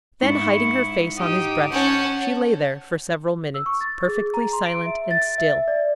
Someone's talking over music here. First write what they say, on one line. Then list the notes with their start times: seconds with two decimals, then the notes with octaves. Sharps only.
Then hiding her face on his breast, she lay there for several minutes perfectly silent and still.
0.22 G#2 E4 C#6
1.18 D#4 G4 D#6
1.72 C#4 F#5 G5 A5
3.54 E6
3.66 C#6
3.81 A6
4.08 G#4
4.34 A#5
4.53 C6
4.66 D7
4.86 E5
5.11 A6
5.38 E5
5.68 D5